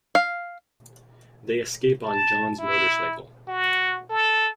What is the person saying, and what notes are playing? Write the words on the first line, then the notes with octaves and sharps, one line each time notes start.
They escape on John's motorcycle.
F5
A5
E4
F#4
A4